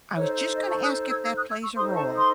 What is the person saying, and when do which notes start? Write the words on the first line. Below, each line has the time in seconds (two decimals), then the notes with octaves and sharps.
I was just gonna ask if that plays a role.
0.15 D#4 A4 C5 C#5
0.55 D#5
0.69 A5 C#6
0.81 D#6 F#6
1.08 E6 G#6
1.22 E6 G#6
1.35 D#6 F#6
1.48 E6 G#6
1.61 C#6 E6
1.75 D#4 A4 C5 C6 D#6
1.95 A5 C#6
2.15 C6 D#6